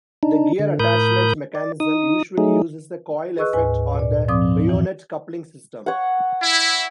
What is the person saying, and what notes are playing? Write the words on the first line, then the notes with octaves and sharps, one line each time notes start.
The gear attachment mechanism usually uses the coil effect or the bayonet coupling system.
D4 D#4
D3
A2 A#4 B5 D#6 G6
D5
D#4 D#6
F#3 A3 D#4 G#4
G#4 B4 D#5 C#6 E6 F#6
D2 G#2 B4 G#5
A#2 D5
G#2 F3 C4 D5 D6 D#6
E2 E3
C#5 F#5
E4